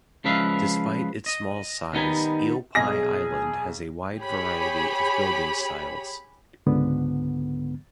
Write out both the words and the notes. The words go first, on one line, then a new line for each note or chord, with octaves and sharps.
Despite its small size, Eel Pie Island has a wide variety of building styles.
C#3 F3 G#3 B4 E5 F5
D#5
D#3 G3 B3 D#4 G#5
B1 G#4 D#5 A#6
G4 G#4 C#5 B5
C#2 G#2 D3 B3